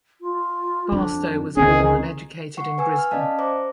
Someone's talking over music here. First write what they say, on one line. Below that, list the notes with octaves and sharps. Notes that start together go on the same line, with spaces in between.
Barstow was born and educated in Brisbane.
F4
F2 D4
C#2 D#3 C4 C#4 G#4
F#5 C#6
B4 G#5 E6
F6
C#4 D5 D#5 F5 A5
C5 A#5 D6